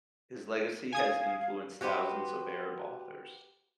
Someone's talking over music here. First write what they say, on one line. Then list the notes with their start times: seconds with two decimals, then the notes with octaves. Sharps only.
His legacy has influenced thousands of Arab authors.
0.93 F5 G#5 D#6 G#6
1.81 F#4 G4 B4 C5